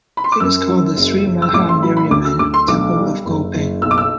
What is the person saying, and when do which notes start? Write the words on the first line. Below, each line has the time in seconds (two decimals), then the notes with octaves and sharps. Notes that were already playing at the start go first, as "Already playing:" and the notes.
It is called the Sri Maha Mariamman Temple of Gopeng.
0.17 B5
0.24 C6
0.32 D6
0.40 F#2 E6
0.69 F#3
0.97 F#1
1.26 F#1
1.42 E6
1.53 A1 D6
1.69 C6
1.83 F#3 B5
1.97 B5
2.10 D2 D6
2.25 E6
2.39 D2 D6
2.54 C6
2.68 B1 D6
2.97 G3
3.25 F#1
3.54 F#1
3.82 B1 E6
3.91 D6
3.98 E6